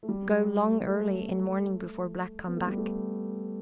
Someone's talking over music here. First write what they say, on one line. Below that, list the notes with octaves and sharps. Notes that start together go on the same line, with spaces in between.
Go long early in morning before Black come back.
A3
G3
A3
B3
A3
G3
A3